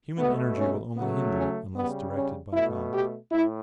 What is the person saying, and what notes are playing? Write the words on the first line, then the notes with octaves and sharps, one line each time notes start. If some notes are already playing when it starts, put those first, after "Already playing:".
Human energy will only hinder it unless directed by God.
B2 A3 B3
C#4
C#3 F#3 A3 B3
C#4
C#3 G3 B3
C#4
B2 A3 E4
G4
A2 E4